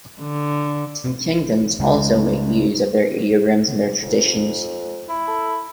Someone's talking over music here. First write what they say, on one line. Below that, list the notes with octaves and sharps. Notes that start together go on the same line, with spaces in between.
Some kingdoms also made use of ideograms in their traditions.
D3
C#3 G#3
F2
E4
A4